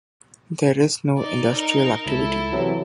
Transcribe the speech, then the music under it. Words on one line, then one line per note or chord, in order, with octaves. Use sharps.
There is no industrial activity.
D#4 D5
D#4 A#4
C#2 E4 A4
C3 E3 F#3